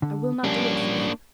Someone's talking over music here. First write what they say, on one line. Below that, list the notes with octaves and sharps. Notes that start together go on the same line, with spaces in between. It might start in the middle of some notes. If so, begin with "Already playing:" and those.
"I will not do it, Philip."
D3
G3 A#3 C#4 D4